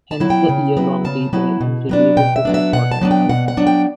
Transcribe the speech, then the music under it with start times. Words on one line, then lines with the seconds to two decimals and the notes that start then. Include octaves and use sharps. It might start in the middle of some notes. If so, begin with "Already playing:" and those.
Hence the year-long delay in releasing this important album.
0.11 A5
0.20 F#3 B3 E4
0.30 G5
0.49 C#3
0.77 F#3 B3 E4
1.05 C#3 A5
1.33 F#3 B3 E4
1.61 B2
1.89 F#3 B3 D4
2.17 B2 G5
2.36 E5
2.45 F#3 B3 D4
2.54 E5
2.73 B2 F#5
2.91 A5
3.01 F#3 B3 D4
3.11 G5
3.29 B2 F#5
3.48 F#5
3.57 F#3 B3 D4
3.67 G5